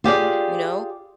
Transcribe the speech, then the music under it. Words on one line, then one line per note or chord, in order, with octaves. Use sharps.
you know?
F4 G4 G#4 D5